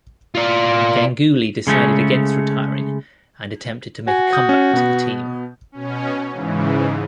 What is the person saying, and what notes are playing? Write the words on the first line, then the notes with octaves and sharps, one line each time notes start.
Ganguly decided against retiring and attempted to make a comeback to the team.
F4 D5
C#3 G#3 A3 C#4
F#4 G#5
D#6 G6
C#4
B2 B3
B2 C#4
G#2 C#3 E3